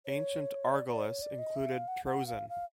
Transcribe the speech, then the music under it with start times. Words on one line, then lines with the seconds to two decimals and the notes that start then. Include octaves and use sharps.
Ancient Argolis included Troezen.
0.06 C#5
0.72 D5
0.88 D5
1.06 C#5
1.22 D5
1.38 D#5
1.56 E5
1.72 F5
1.88 F#5
2.05 F#5
2.27 F5
2.49 F5